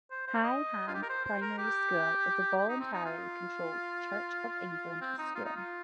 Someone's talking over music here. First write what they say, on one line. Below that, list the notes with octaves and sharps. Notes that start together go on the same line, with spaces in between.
High Ham Primary School is a voluntarily controlled Church of England school.
C5
C5
D#5
F4
G4
A#4
C5
C5
A#4
G4
G4
D#4
C4
D#4
F4
C4
D#4
F4
D#4
F4